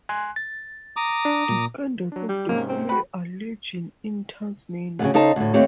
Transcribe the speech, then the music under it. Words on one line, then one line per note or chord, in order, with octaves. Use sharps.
Descendants of the family are legion in Tasmania.
G#5 C6 F#6
A6
A#5 D6 D#6
D4
A#2
F#3 D4
G3 G5
G#2 C3 A#3 C#4
C4
F#4 B4 G5 B5
D2 A2 C#3
C#3 D#4 A4 C5 A5
D2 A2
D#2 A3 C4 G4 C#5